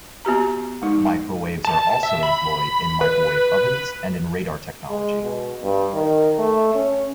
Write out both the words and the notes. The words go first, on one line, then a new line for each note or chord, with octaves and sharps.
Microwaves are also employed in microwave ovens and in radar technology.
B3 F#4 G4 A#5
G#3 D#4
A5
E5
B5
B4
G#3
B2
G2
D#3
A3
C#4